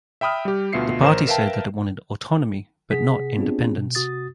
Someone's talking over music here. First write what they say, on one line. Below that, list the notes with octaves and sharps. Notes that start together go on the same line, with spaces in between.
The party said that it wanted autonomy but not independence.
E5 G5 B5 D#6 F6
G3 G4
D2 B2 F4 E5 C7 C#7
A1 A#4 C5 A#5 E7
A#4 B4 E5 F5 G5 A5
C3 G#4 F#5 B6
B3 C4 D4 F4 G4 G#4
B2
C3 F#4 D#6 A6